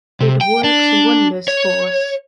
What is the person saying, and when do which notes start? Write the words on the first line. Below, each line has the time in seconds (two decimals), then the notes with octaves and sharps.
It works wonders for us.
0.20 C3
0.41 G5
0.64 D4
1.48 C#5